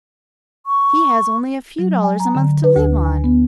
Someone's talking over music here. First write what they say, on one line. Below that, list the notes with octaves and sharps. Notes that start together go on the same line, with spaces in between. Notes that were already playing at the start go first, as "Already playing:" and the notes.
He has only a few dollars a month to live on.
C#6
F#3
G#5
A#5
D3
B4
D2
G#5
B3